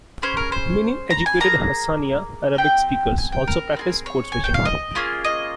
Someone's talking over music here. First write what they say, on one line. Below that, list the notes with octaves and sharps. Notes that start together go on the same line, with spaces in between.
Many educated Hassaniya Arabic speakers also practice code-switching.
C#4 G#4 C5
A#4
C5
A#5
G#5
A#3 D#4 G#4 A#5
C4 G4 G5
G#5
G5
A#4
C4 F4 G#4
C#5
G#5
G5
F5
D#5
A#3 C#4 F4 G#4
D#5